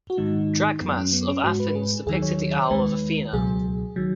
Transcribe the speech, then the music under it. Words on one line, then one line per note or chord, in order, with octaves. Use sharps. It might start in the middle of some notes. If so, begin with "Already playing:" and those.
Drachmas of Athens depicted the owl of Athena.
F#4
G#2 D#3 G#3 D#4
F#2 F#3 B3
C#4
B3
C#4
G#2 G#3 F#4
B4
G#4
D#2 D#3 F#3 G#4
C#5
D#2 D#3 G#3 B4
C#2 B2 F#3 G#4
D#3 F#3